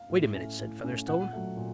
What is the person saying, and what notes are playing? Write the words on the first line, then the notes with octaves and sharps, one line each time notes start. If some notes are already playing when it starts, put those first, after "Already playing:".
"Wait a minute," said Featherstone.
Already playing: F5
A2
A3 C#4
A2
A3 C#4
A#2 F#5
F#3 A3
A#2